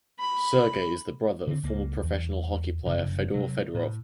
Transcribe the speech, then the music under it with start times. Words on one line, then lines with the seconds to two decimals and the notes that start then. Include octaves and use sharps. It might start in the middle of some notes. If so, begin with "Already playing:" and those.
Sergei is the brother of former professional hockey player Fedor Fedorov.
0.20 B5
1.47 D3 C4
1.63 C#2 A#3
2.03 E2
2.85 F1 F#2 C#3
3.34 C3 F#3
3.74 A2